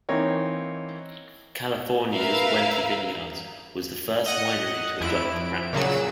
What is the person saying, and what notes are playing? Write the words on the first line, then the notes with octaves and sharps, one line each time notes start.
California's Wente Vineyards was the first winery to adopt the practice.
E3 A#3 C4 D#4 C#5
A#4 B4 E5 F5
D#5 F#5
F2 E4 D7
A#2 C#3 F#3 E6